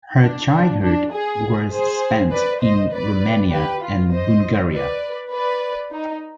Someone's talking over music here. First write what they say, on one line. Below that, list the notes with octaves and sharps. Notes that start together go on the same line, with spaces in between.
Her childhood was spent in Romania and Bulgaria.
D4
D4
D4
G#4
G#4 C5
B4 D5
C5 D#5
B4 D5
G4 B4
F4
C5 D#5
B4 D5
B4 D5
D#4